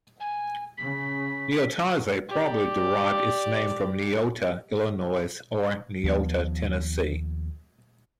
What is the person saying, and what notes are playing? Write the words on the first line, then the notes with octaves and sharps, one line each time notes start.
Niotaze probably derived its name from Niota, Illinois or Niota, Tennessee.
G#5
C#3 B6
G4 D5
D#2 F3 B3